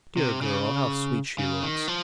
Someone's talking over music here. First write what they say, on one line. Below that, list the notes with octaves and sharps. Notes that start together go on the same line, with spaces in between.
"Dear girl, how sweet she looks!"
C3
C#3
C#3
D#3
F3